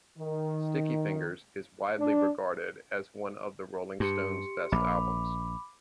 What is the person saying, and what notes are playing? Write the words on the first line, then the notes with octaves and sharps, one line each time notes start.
"Sticky Fingers" is widely regarded as one of the Rolling Stones' best albums.
D#3
D4
G2 G4 C6 C#7
A#1 B5 D6